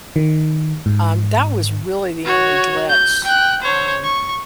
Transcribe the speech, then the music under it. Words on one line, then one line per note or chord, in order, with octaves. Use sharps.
um, that was really the only glitch, um
D#3
G#2
F#4 C#5
G6
G5 F#6
C5 C#5
C#6